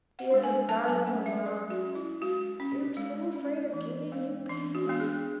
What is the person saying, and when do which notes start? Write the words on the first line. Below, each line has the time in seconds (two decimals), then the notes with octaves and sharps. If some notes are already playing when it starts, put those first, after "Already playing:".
'Dear, darling mamma! we were so afraid of giving you pain.
0.19 F#5
0.31 G#3 D4
0.44 G#5
0.69 F#3 A5
0.88 G#5
1.06 C#4 F#5
1.26 E5
1.45 F#3 D5
1.70 F#4
1.84 C#4
1.95 E4
2.21 G#3 F#4
2.60 C#4
2.97 G#3
3.36 C#4
3.73 E3
4.11 G#3 B3 D4
4.49 E3 D4
4.75 F#4
4.87 G#3 B3 D4
5.00 G#4